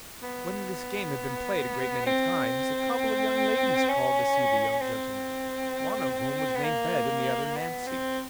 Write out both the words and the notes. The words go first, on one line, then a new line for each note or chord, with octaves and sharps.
When this game had been played a great many times, a couple of young ladies called to see the young gentleman; one of whom was named Bet, and the other Nancy.
B3
C4
C#4
C4
B3
A#3
B3
C4